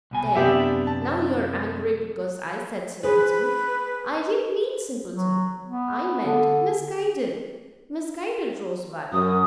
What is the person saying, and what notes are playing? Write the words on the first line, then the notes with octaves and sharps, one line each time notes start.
There, now you are angry because I said simpleton!--I didn't mean simpleton, I meant misguided--misguided rosebud!
C2 B2 G#5
F#2 C3 B3 D4 G4 E5
A5
G#4 B4 C5
F#3
B3
D3
F#2 D#6